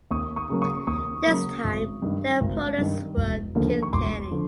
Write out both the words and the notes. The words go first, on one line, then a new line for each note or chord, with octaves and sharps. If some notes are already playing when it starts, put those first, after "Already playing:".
This time their opponents were Kilkenny.
D#2 C#6 D#6
C#6 D#6
C#3 F#3 A#3
C#6 D#6
D#2 C#6 D#6
C#3 F#3 A#3
G#1
G2 D#3
G#1
G2 D#3
E1
D#2 D3 F3 A#3
C#6
E1 C6 D6
D3 F3